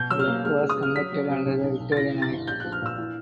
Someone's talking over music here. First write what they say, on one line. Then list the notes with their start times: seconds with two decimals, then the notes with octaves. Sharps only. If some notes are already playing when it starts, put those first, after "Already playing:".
Clubb was convicted under the Victorian Act.
Already playing: B2 G6
0.11 F#3 E6
0.19 F6
0.27 A#3
0.44 G#3 F6
0.61 C#3
0.69 D#6
0.78 C#3 F6
0.96 F#3 B6
1.12 F#3
1.29 C3
1.45 B1
1.63 B1
1.80 B1
1.92 A6
1.97 E3 A#6
2.14 E3
2.22 A6
2.31 G1
2.48 A#1 G6
2.60 F3 F#6
2.72 F6
2.82 A#2 E6
2.98 E3